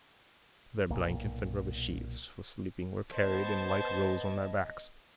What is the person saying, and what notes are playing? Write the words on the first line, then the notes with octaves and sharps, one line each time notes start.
Their blankets and rubber sheets for sleeping were carried in light rolls on their backs.
B1 A#2
B3 C5 D#5 A5 G#6